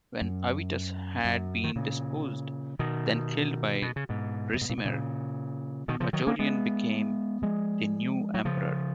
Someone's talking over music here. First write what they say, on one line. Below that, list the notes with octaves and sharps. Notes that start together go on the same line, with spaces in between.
When Avitus had been deposed-then killed-by Ricimer, Majorian became the new emperor.
F#2
F#2
D#3
A#2 C#3
B2 D#3
B2
C#3
G#2 B2
F#2
G#2
A#2
B2
A#2 C#3
B2 D#3
C#3 F3
D#3 F#3
A#3 C#4
G#3 B3
F3 G#3
F#3
C#3 F3